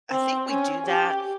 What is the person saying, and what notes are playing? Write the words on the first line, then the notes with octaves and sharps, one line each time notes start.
I think we do that
C4
C#4
G4